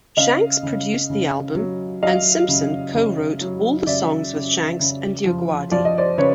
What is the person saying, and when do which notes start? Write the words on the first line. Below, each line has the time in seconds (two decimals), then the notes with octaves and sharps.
Shanks produced the album, and Simpson co-wrote all the songs with Shanks and DioGuardi.
0.17 C#3 D#5 F5
0.63 C#3
1.10 C#3
1.56 F#3
2.02 F#3 D#5 F5
2.48 C#3
2.94 C#3
3.41 F#3
3.87 C#3 D5 E5
4.33 C#3
4.80 C#3
5.26 F3
5.71 F3 D5
5.85 D#5
5.98 C5 D5
6.18 C#3 B4 C#5